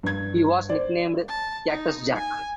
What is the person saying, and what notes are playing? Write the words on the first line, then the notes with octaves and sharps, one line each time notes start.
He was nicknamed Cactus Jack.
G2 G#6
C5 D5
A5
D#4
G#5